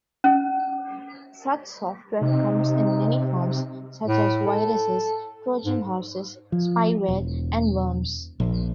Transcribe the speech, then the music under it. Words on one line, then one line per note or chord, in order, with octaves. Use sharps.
Such software comes in many forms, such as viruses, Trojan horses, spyware, and worms.
C#4
C3 D#4
A2
A4
G#2
F3
E1
A#1